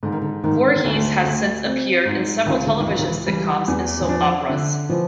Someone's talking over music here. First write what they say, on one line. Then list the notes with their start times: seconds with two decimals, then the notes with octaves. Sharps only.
Voorhies has since appeared in several television sitcoms and soap operas.
0.03 G#2 D3
0.12 D#3
0.22 D3
0.44 G#2 D#3
0.76 D#3
0.84 D2 D3
1.24 D2
1.65 C4
2.05 G#2
2.46 C#2 D#3
2.66 D3
2.80 D#3
2.86 C#2 E3
2.99 D#3
3.07 E3
3.27 E3 G3
3.68 E2
4.01 E3
4.08 F3 D4
4.49 D3
4.90 E3 F3